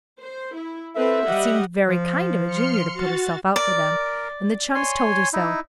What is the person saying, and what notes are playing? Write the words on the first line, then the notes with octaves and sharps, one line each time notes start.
It seemed very kind of a Junior to put herself out for them, and the chums told her so.
C5
E4
C4 A4 B4 E5
G3 D#5 F#5
F3
C6 F6 C#7
F#4 A6
A#4 D5
C#5 G#5 C6
D#4 E4